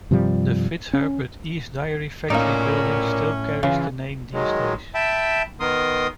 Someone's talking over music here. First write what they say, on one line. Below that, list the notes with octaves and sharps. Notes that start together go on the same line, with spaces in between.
The Fitzherbert East Dairy Factory building still carries the name these days.
G2 C3 F3 G3
C#4
A2 A#3 C#4 D#4 A#4 D5
C#3 E3 F4
D#3 F#3 G#3
E5 G5 A5 B5
D#3 B3 A#4 C6 D#6